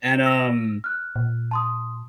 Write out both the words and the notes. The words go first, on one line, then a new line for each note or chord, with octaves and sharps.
And, um,
E6 A#6
F6 F#6
A#2
A5 C6 D#6